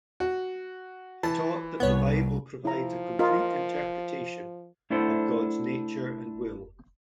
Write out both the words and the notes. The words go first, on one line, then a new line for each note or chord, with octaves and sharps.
He taught that the Bible provides a complete interpretation of God's nature and will.
F#4
E3 A5
C2 B3 C#5
F3 E4 A#5
F4 A#4 D#5
A3 D4 E4 A4 C5 F#5